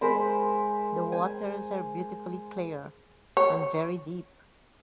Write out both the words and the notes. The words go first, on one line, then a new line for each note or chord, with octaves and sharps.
The waters are beautifully clear, and very deep.
G#3 A#4 C5 B5
C5 G#5
C#5